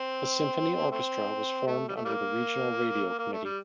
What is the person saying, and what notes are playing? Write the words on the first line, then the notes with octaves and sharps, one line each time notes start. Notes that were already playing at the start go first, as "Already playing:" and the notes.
The symphony orchestra was formed under the regional radio committee.
Already playing: C4
A3 C4
A3
G3
A3
G3 A#3
A#3
A3
G3